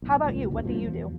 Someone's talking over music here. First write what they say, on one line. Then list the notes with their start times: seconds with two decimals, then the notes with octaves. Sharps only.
How 'bout you, what do you do?
0.02 B1 A2
0.24 C#2 A#2
0.51 D2 G#2 B2
0.64 G2 B2 F3
0.85 E2